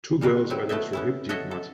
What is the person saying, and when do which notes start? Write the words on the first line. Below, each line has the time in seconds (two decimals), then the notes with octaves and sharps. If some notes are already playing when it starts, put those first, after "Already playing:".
Two girls wading through hip deep mud.
0.21 G3 G#3 A#4 B4
0.50 F#3 C4 E4
0.69 A3 B3 D#5 E5
0.93 B3 C#4 E4
1.29 F#4 A4 C#5 D#5 E5
1.51 A4